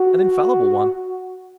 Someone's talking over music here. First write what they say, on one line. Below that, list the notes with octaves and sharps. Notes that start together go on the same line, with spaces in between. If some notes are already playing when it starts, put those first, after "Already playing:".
"An infallible one."
Already playing: F#4